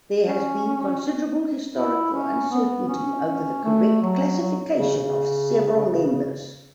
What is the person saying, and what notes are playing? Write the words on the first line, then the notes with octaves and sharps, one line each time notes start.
There has been considerable historical uncertainty over the correct classification of several members.
C#4
E4
C#4
B3
C#4
C#4
A3
F#3
F#3
C#3
C#3